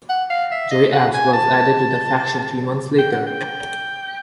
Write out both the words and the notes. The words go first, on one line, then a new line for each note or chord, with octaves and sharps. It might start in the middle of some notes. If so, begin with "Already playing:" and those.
Joey Abs was added to the faction three months later.
F#5
F5
E5
D#5
F#5
G#5
A5
G5
F#5
G5